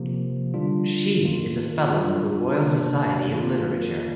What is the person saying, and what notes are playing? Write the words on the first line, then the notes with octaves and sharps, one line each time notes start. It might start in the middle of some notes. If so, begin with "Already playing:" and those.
She is a Fellow of the Royal Society of Literature.
Already playing: C3 F3 A#3
D3 G3 D4 F4
D#3 A#3 F4
G3 D4 F4
C3 D#3 A#3 D4
D#3 A#3 F4